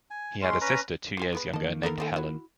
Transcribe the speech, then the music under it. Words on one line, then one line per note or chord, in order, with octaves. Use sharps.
He had a sister two years younger named Helen.
G#5
G#3 C#4 C6
C#4 B4 A#5
C4 F4 G#5
G#3 B3 B4
D#3 A#3 D#5 A5
B3 A4 A#4
B3 C4 A4
E4 F#4